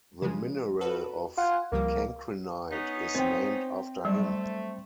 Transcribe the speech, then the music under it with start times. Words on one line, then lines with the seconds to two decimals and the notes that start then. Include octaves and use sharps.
The mineral of cancrinite is named after him.
0.22 C#3 F3 G#3
0.81 F#4 A4 B4
1.38 F4 F#5 G#5
1.72 C#2 F3 G3 A#3
2.71 B3 C#4 D#4
3.15 C4 C5 G5
4.05 F#3 G3 A3